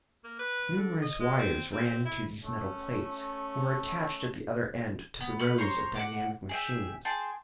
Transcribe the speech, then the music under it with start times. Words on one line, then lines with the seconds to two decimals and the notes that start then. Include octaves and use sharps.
Numerous wires ran into these metal plates, and were attached at the other end to the rows of dynamic machines.
0.24 A#3
0.39 B4
0.77 D3
1.02 D#5
1.20 G#3
1.39 C4
1.73 C4
2.05 E4
2.44 A3 C#4
5.20 B3
5.39 A3 B4 F6
5.58 C5 C#5 A#5 C6
5.95 F#5 A5 D6
6.49 G#4 E5 G5
7.05 G#4 G5 A5 C6